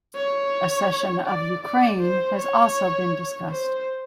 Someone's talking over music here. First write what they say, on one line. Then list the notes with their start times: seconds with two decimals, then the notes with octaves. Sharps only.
Accession of Ukraine has also been discussed.
0.15 C#5
1.26 D5
1.63 D5
2.00 C5
2.37 C#5
3.50 C5